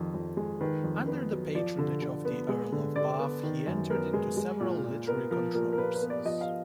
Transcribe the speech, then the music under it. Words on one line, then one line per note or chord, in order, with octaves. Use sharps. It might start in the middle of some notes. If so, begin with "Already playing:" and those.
Under the patronage of the Earl of Bath he entered into several literary controversies.
Already playing: F2 D#3
F2
G#3
D#3 B4
F2
B3
F#3
F3 D5
D3
D3
B3
G#3
D3
D3 D5
B3
D#3
F#2
B3 A#4
G#3
G#3
A#2
A#2
B3 A#4
F3 A#4
A#2 A#4
A#4
A#2 B4
B4
B3
D5
F3 D#5
F5